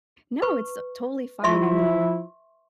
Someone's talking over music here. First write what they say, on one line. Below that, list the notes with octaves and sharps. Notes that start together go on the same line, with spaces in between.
No, it's, uh, totally fine. I mean,
B4 C#6
F3 E4 E5 C6 C#6